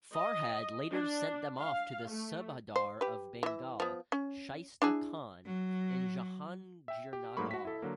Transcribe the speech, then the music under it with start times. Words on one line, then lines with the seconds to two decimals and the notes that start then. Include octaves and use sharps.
Farhad later sent them off to the Subahdar of Bengal Shaista Khan in Jahangirnagar.
0.13 D#5
0.91 D4
1.58 F5
2.09 A3
2.76 C5
3.01 G4 B4
3.43 E3 E5
3.80 F3 B3
4.12 C#4
4.82 D4 E4 G#4
5.45 F#3
6.88 E5 G5
7.13 G4
7.37 G#2 F#3 A3 A#3 B5 C#6
7.51 F#4 B6
7.65 E4 A4
7.82 D3 F#3 A#3